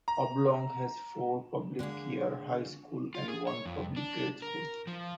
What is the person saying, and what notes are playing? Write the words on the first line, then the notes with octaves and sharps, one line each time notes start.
Oblong has one public four year high school and one public grade school.
A#5
D3 G#3 A#3 G#4
F4
G#4
C#5
F2
D4
A#4
F3